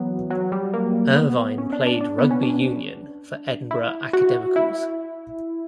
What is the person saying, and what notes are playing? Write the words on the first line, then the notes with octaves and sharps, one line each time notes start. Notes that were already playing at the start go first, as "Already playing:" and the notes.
Irvine played rugby union for Edinburgh Academicals.
Already playing: E3 F#3 B3
F#3
G3
A#3
B3
C#4
D4
D4
D4
B3
C#4
D4
E4
F#4
E4